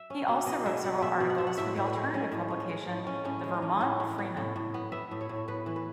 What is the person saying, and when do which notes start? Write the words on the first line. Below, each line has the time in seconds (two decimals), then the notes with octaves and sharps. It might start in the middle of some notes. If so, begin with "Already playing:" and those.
He also wrote several articles for the alternative publication "The Vermont Freeman".
Already playing: E5
0.10 C#4
0.28 B2
0.46 B2 D#5
0.66 G#3 E5
0.84 B2 F#5
1.02 B2 E5
1.20 B2
1.30 F#5
1.38 B2 E5
1.47 F#5
1.57 A2 E5
1.77 A2
1.86 B4
1.96 G#3
2.14 G#3 C#4
2.32 A2
2.50 C#4
2.70 G#3
2.88 A2
3.07 C#4
3.25 A2 C#4
3.44 G#3
3.54 D#4
3.62 C#4
3.81 A2 C#5
4.00 A2
4.18 B3
4.37 A2
4.56 A2
4.74 B3
4.92 B3 E5
5.11 A2
5.21 C#5
5.29 A2
5.48 A2 B4
5.66 E3
5.76 B4